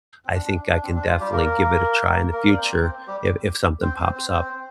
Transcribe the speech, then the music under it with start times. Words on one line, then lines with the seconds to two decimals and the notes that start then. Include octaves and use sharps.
I think I can definitely give it a try in the future if if something pops up."
0.25 C4
0.34 D4
0.45 D4
0.70 D4
0.83 C4
0.96 D4
1.08 F4
1.20 G3 G4
1.32 A#3 A#4
2.33 A#3 A#4
2.47 D5
2.57 C4 C5
2.82 C4 C5
3.07 G3 G4
3.82 C4 C5
3.99 C4 C5
4.15 C4 C5
4.32 C4 C5